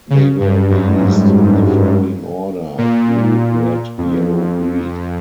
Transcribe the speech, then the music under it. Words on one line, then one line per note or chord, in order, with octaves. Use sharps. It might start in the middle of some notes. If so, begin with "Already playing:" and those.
They were released in the following order: Blue, Red, Yellow, Green.
C#3
G2
F#2
G#2
G#2
A#2
A#2
F2
F2